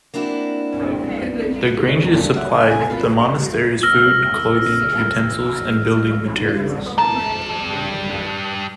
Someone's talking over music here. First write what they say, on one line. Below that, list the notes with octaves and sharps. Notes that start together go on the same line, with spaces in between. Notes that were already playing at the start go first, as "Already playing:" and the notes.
The granges supplied the monastery's food, clothing, utensils and building materials.
A#3 C4 D4 E4 F#4
G2 C3 D#3 F#3 C4 D4
C5 D5 E5 F#5
G#4
C3 F#4 G#4 G#5
F4 A4 B4 F5
E6 F6 A#6
G3 A5 A#5